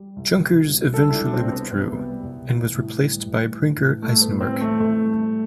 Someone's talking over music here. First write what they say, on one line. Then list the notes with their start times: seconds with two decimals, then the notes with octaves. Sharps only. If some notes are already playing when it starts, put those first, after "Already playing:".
Junkers eventually withdrew and was replaced by Brinker Eisenwerk.
Already playing: G3
0.16 C2
0.42 B2
0.68 C2
0.94 G3 A4
1.09 E4
1.14 D4
1.19 C2
1.26 D4
1.33 C4
1.45 B2
1.52 B3
1.71 C2 B3
1.97 G3
2.22 C2
2.48 E3
2.74 A2
3.00 G3
3.26 A2
3.51 E3
3.77 A2
4.02 G3 A3
4.22 B3
4.29 A2
4.41 C4
4.53 E3
4.61 A3
4.80 A2 A3
5.05 G3